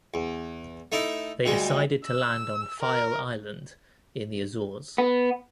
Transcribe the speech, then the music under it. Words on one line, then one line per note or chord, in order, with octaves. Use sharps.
They decided to land on Faial Island in the Azores.
E2
A3 D#4 E4
D2 G3 G#3
E6
A#4
B3